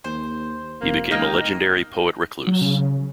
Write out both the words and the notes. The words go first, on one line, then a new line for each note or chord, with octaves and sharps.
He became a legendary poet-recluse.
D#2 C5
F1 A#3
C#2 A#3 D#4 G5
F#3
C#3